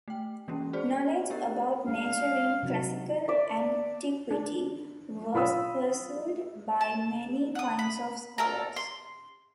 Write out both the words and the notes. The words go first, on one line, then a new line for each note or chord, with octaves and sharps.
Knowledge about nature in Classical Antiquity was pursued by many kinds of scholars.
A3 G5
E3 G#3 A#3 C#4
F#4 G#4 C5 D5
B3 D4 G4 A#4
G#3 D4 F5
C3 F#3 D#4
D5 E5
D4
F4 B5 D#6 E6
A5
F#5 D#6
B5
A4 A#4 A#5
C6